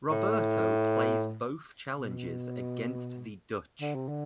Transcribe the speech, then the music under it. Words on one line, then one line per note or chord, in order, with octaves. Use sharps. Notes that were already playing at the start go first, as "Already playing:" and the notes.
Roberto plays both challenges against the Dutch.
A2
B2
D3
C3
D3